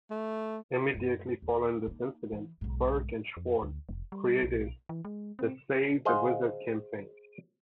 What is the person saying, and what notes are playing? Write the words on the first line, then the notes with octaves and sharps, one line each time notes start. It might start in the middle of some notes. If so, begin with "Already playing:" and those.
Immediately following this incident, Berk and Schwartz created the Save The Wizard Campaign.
A3
F#2 A3
D#2
A#3 D#4
E3
B1 G#2
F2
D2
F1
G3
B1
E3
G#3
C4
G#4 C5 D#5 F5 F#5